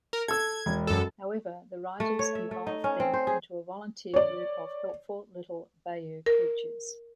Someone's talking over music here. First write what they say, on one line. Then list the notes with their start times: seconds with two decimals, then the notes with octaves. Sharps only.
However, the writers evolved them into a volunteer group of helpful little bayou creatures.
0.13 A#4
0.28 A4 E6 G#6
0.66 E1
0.87 F#2 A4
2.00 A3
2.19 C#5
2.35 E5
2.51 A3
2.67 D#4
2.84 C#4
3.00 C4
3.14 C5
3.27 G#4
4.14 C#5 D5
6.26 A#4